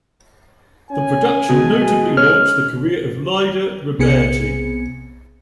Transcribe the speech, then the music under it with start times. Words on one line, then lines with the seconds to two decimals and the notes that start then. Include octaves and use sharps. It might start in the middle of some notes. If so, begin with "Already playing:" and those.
The production notably launched the career of Lyda Roberti.
0.91 C#4 G#5
1.49 B2 G#3
2.17 C#4 F6
3.99 B1 C3 B3 G#4 C#7